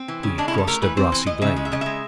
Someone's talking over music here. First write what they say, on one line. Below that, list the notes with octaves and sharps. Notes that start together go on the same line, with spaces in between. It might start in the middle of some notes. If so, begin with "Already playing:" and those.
We crossed a grassy glade.
Already playing: C4
E3
C#3
G#3 D4
E4
C#3 A4
A3 A#4
E3 B4
C4 C5
E3
E3 D#5
C#3 E5
G#3
E5
C#3 D#5
G#3 E5